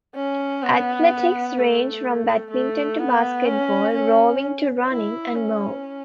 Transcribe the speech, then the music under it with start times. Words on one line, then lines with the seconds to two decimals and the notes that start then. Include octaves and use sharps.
Athletics range from badminton to basketball, rowing to running, and more.
0.15 C#4
0.63 B3
1.58 A3
2.51 A3
2.99 B3
3.46 C#4
3.94 C#4
4.88 E4
5.36 C#4